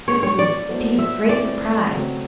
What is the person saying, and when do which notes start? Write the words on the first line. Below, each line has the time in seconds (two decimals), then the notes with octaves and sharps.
This was indeed a great surprise.
0.08 G#3 B3 D4 C#5
0.23 C#5
0.39 D5
0.69 F#3 B3 E4 A4 C5
0.99 E5
1.29 A3 C4 E4 G#4 B4 D5
1.91 C#3 F#3 A3 C4